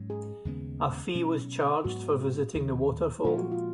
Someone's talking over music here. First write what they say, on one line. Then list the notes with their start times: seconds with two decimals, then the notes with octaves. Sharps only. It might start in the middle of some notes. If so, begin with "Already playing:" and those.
A fee was charged for visiting the waterfall.
Already playing: G#2 F#3 C#4
0.10 G#4
0.45 D#2 C#3 G#3 B3
1.15 B2 F#3 C#4
1.84 G#2 F#3 B3 F#4
2.55 D#2 D#3 F#3
3.24 A#2 F3 G#3 F4
3.38 F#4
3.52 F4